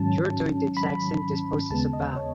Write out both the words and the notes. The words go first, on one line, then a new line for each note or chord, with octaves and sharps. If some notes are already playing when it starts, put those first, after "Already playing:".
You’re doing the exact thing this post is about.
Already playing: G#2 D#3 F#3 C#4 A5
B5
D#2 C#3 G#3 B3 A5
D#5
C#5